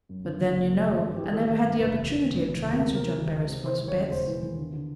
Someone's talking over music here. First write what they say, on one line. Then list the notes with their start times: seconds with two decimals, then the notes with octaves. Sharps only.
But then, you know, I never had the opportunity of trying Sir John Beresford's beds.
0.09 F#2
0.25 D3
0.40 F#1
0.55 F#1
0.71 F#2
0.86 G#1 G#4
1.02 G2
1.15 E3 G4
1.24 G#4
1.33 G#1 A4
1.49 G#1
1.63 G2
1.79 F1 B4
1.95 D#2
2.10 D#3
2.26 F1
2.42 F1
2.57 D#2
2.73 C#2 A#4
2.88 C3
2.95 A#4
3.04 E3
3.18 C#2
3.34 C#2
3.50 C3
3.66 E3 C5
3.81 D#2
3.88 C#5
3.96 C#3
4.12 E1 C5
4.27 E3
4.43 D#2
4.58 D3
4.73 D3